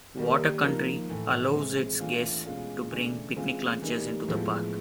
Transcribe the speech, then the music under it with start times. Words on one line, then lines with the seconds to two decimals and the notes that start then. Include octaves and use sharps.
Water Country allows its guests to bring picnic lunches into the park.
0.17 D#3 G3 A#3
0.63 F3 A#3 D#4
1.08 A2 E3 A3
1.54 E3 G#3 C4
1.99 E3 A3 D4 F4
2.45 B2 G#3 C#4 F4
2.91 C#3 E3 A3 D4
3.36 C#3 E3 G#3 C4 F4
3.82 E3 G3 A#3 D#4
4.28 A2 F3 G#3 B3 E4